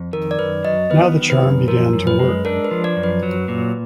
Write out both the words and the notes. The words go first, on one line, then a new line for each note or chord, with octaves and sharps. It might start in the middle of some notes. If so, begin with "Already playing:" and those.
Now the charm began to work.
Already playing: F2
D#3 A#4
D5
F#2 B4
F#3 D#5
B3 B4
D#3
B4
F#2
F3 A#4
F#2
B4
G#3
D4 A#4
B4
F3
D5
F#2
B4
F#3
A#2